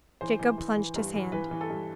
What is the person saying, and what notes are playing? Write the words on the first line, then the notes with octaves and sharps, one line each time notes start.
Jacob plunged his hand.
E3 C5
E3
E3
E3
G2
E3
E3 B4
E3
A4
G2